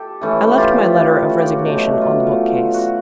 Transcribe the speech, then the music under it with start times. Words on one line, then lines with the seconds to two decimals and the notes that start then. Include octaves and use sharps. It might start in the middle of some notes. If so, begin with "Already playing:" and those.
I left my letter of resignation on the bookcase.
Already playing: G4 A4
0.21 E3 A3 C#4
0.58 F4 G4
1.29 F#4
1.38 G4
1.46 F#4
1.65 B2 F#3 A3
2.01 F4
2.74 F#4